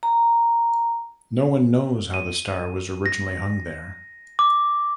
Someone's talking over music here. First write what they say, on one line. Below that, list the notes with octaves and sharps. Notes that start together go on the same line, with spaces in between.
No one knows how the star was originally hung there.
A#5
D#7
A#6
D6